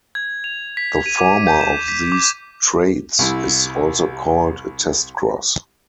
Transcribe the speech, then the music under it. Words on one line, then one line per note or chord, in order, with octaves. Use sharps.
The former of these traits is also called a test cross.
G#6
F7
B6
D#7
D6
G6
E7
B6
D6
C2 E4